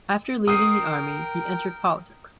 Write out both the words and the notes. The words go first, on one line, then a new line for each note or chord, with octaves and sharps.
After leaving the army, he entered politics.
A#4 G5 D#6 C7